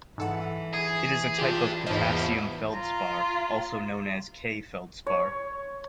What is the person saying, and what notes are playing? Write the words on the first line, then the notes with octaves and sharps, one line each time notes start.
It is a type of potassium feldspar, also known as K-feldspar.
G#2 E3 A4 F#5
G#4
D4 F4 G4 G#4
E2 G#2 F3 E4 D#5
F4 A#5
C#5